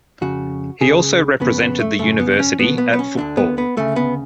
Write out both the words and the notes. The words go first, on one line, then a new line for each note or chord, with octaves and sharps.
He also represented the university at football.
F2 C#3 F#4
C#2 C#3 G#4
F2 C#3 B3
B3
A3
F#2 C#3 A3
B3
C#4
B1 B2 B3
B3
B3
C#4
D2 D3 D4
B3
B3
D2 C#3 A3
B3